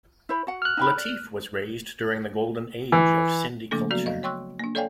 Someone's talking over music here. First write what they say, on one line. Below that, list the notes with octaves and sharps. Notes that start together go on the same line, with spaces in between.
Latif was raised during the golden age of Sindhi culture.
E4 C5 B5
F#4 F#5
F6 F#6
D#4 G5 B5
D5
E3
C#3 F3 A3 A#3 D4 A4
F#3 B3 F#4 D5
D#5 F5
C#5 G5 C6 C#6 E6 F#6
A#3 D4
A4 C#5 D5 F5 G5 G#5